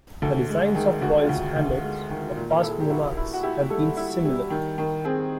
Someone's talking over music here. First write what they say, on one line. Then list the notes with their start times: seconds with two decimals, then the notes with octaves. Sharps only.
The designs of royal standards of past monarchs have been similar.
0.22 D2 A4
0.49 G#3
0.75 D#3 G#4
1.02 D2 F#4
1.23 F4
1.29 D2 F#4
1.56 D2
1.82 G#3
2.10 D#3
2.36 A#2
2.50 A#4
2.60 E4 A4
2.70 G#4
2.80 G4
2.89 E4 F#4
3.17 E4
3.34 F#4
3.43 E4 G4
3.70 G3 A4
3.97 E4
4.25 G3
4.50 D#3
4.78 D#3
5.05 C4 G#4